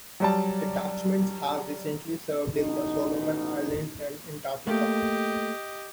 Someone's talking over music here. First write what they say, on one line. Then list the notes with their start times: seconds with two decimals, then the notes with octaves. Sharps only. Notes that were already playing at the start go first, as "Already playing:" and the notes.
Detachments have recently served in the Solomon Islands and Antarctica.
0.20 F#3 G3 A5
2.55 A1 B2 D#4
4.67 A3 A#3 G4 D#5